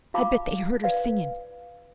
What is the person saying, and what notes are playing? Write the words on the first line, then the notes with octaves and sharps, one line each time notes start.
I bet they heard her singin'!
F4 F5 A5 B5 D6
B4 D5 F5